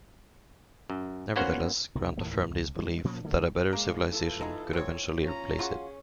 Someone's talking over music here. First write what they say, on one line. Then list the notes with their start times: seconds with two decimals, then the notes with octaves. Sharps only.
Nevertheless, Grant affirmed his belief that a better civilization could eventually replace it.
0.90 F#2
1.36 A#3 B3 C#4 F#4 C5 F#5
1.95 C2 B2 D#3
2.17 D#2 A2 E3 A#3
2.51 C#2
2.76 E3 G#3
3.04 A#2 F3 A#3 C#4
3.24 D3 F#3 A3 A#3
3.73 G#3 A#3 F5
4.10 E3 F4 A4
4.41 G#3 D#4 G#4
4.73 C4 C#5
5.23 C#4 F4 A#5
5.59 F4 F#4 G#4 C#6